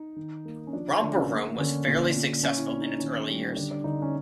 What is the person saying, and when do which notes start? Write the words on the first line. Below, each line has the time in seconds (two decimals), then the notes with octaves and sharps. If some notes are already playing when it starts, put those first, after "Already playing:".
"Romper Room" was fairly successful in its early years.
Already playing: D#4
0.16 D#3
0.45 A#3
0.67 C#4
0.73 F3 D4
1.02 D3 D4
1.16 C#4
1.30 A#3
1.58 D3 C#4
1.86 A#2
2.15 A#2
2.43 A#2 C#4
2.57 E4
2.71 A#2 D4
2.81 D#4
2.86 D4
2.99 D#3 C#4
3.28 G3
3.57 D3 D4
3.71 D4
3.84 D3 D#4
4.02 C#4